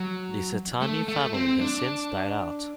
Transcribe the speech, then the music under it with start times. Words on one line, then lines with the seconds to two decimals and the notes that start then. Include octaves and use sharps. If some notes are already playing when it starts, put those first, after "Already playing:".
The Caetani family has since died out.
Already playing: F#3
0.82 A3
1.08 A3
1.34 C4
1.61 D4